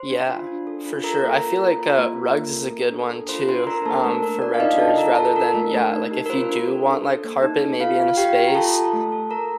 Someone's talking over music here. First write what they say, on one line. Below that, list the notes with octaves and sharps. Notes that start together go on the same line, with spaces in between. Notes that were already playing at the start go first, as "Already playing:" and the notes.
Yeah, for sure, I feel, like, uh, rugs is a good one too, um, for renters rather than, yeah, like, if you do want, like, carpet maybe in a space?
Already playing: C5 C6
D4
F4
D4
A4
F4
A4 A#4 A#5
A#3
F4
A4
F4
A#3
F4
A#3
A4
A4
D4
A4
F4 C5 C6
D4 C5 C6
D4 A#4 A#5
A#3 A4 A5
A3 A#4
D4 A#4
D4 F4 D5
F5
D#4 F4 D#5
F4 A4 A5
F4 A#4 A#5
F4 A4 A5
D4 A#4
A3
A3
D#4
G4
A#4
F4 C5
D4
A4
A4
A4
A#3
D#4
A4
F4 F5
F4
F5
F4 G4 G5
F4
A#5
F4 A4 A5
A4
A3
A4
A4 A#4 A#5